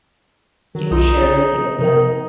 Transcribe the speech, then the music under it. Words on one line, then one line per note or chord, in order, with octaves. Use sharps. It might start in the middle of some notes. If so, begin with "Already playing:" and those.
ge share anything with them-
D#3 F#3
B1 D#4 F4 E6
C3 F3 D#4 A#4